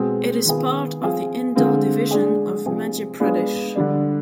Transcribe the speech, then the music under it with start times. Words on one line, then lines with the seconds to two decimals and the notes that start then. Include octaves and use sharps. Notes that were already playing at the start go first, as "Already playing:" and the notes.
It is part of the Indore Division of Madhya Pradesh.
Already playing: B2 G#3 C4
0.45 D#3 B3 F4 G#4
1.00 F3 C4 F4 G#4
1.56 D3 G#3 C4 F4
2.11 G#3 D4 G#4
2.66 C3 F3 C4 F4 G#4
3.20 G#3 B3 D4 F4
3.76 D3 G3 D4